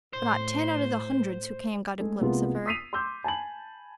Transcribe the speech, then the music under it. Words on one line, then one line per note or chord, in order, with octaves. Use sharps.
But not ten out of the hundreds who came got a glimpse of her.
A2 C5
G#3 A3 G#4
C2 G#3 A#3 B3 F4
D#6 E6 B6 C7 D#7 F7
C6 D6 E6 G6
G#5 A5 B5 F#7